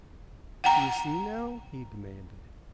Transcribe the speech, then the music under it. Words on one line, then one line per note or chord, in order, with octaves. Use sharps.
"D'ye see, now!" he demanded.
F#5 G5 A#5